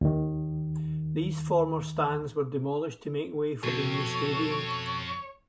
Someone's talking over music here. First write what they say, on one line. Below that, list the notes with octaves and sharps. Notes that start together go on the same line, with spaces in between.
These former stands were demolished to make way for the new stadium.
D#2 D#3
F2 B2 A4 C#5